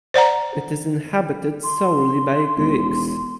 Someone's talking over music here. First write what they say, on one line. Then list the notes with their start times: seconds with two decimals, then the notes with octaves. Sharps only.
It is inhabited solely by Greeks.
0.14 C5 D5 F#5 A#5
1.63 C6
2.57 E1